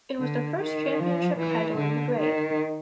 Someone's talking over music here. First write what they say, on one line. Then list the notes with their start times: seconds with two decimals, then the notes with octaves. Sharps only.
It was their first championship title in the grade.
0.20 D3
0.61 D#3
1.00 F3
1.39 E3
1.78 D3
2.19 D#3